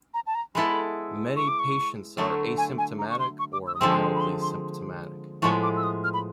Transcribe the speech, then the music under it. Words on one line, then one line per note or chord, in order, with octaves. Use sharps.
Many patients are asymptomatic or mildly symptomatic.
A#5
A5
A#5
G#3 B3 E4 A4 B5
C#6
D6
C#6
D3 F#3 A3
G#5
G#5
A#5
C#6
C6
C#6
D6
E6
D#6
D3 F3 G#3 C4 E6
B5
C6
C6
A2 F3 G#3 B3 C#6
D6
E6
D#6
F6
B5